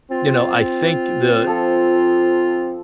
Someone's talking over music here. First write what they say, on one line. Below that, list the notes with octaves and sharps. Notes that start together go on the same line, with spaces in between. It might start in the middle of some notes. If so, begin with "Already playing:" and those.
you know, I think the
C4 F4
F3 A4